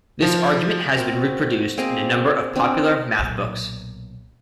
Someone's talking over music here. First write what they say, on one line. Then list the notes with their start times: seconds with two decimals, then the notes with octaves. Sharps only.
This argument has been reproduced in a number of popular math books.
0.22 F3
0.97 C4 F#4 A#4
1.78 A#3 C4 G#4 D#5
2.56 C4 D4
3.19 B1 A#2